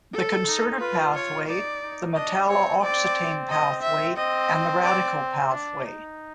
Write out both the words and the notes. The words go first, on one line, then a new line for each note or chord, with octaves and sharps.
The concerted pathway, the metalla oxetane pathway and the radical pathway.
A4
D#4
F4 B4
C#5
D#4 D5
D#4
D4 D#5
C4 C#5
C4 D5
D#5
E5
C4 D#5
D5
D4
D#4